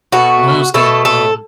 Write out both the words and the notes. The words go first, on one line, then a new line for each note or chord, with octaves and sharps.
RuneScape, um
B2 A3 F#4
B2 A3 A4
A4